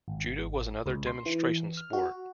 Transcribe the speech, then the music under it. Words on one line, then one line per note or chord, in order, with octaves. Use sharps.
Judo was another demonstration sport.
G#1
C#2
C6
E3
F6
F#4